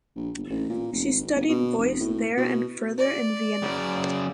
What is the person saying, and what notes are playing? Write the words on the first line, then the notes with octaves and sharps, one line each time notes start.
She studied voice there and further in Vienna.
A#1
G1
A1
A#2
F1
G#1
G1
B2
F1
A2
B2
D5
F#2 C#3